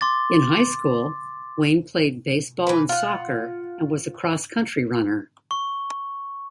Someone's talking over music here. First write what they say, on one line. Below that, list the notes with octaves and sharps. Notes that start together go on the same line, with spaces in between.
In high school, Wayne played baseball and soccer, and was a cross country runner.
C6 D6 A6
E3 B4
F4 F#5
C#6